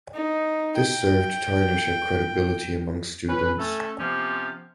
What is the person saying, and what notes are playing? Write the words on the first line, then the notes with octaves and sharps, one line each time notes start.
This served to tarnish her credibility among students.
D#4
G5
C#4 B4
A3 C#4 A4
C3 F3 B3 C#4 F4 G4